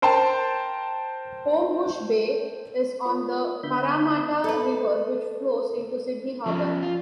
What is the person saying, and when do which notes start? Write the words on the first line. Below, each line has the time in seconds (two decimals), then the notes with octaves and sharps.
Homebush Bay is on the Parramatta River which flows into Sydney Harbour.
0.02 A#4 C5 G5 A5 C6
3.05 F4 A#4 C#5
3.63 D3 B3 D4 E5 B5 G6
4.44 A4 B4
6.46 F3 C#4
6.83 F4